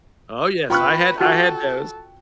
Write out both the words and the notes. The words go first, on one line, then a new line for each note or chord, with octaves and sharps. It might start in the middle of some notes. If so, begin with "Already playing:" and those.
Oh, yes, I had I had those.
F4 B4 G5 C#6 F#6
F4 F#4 A4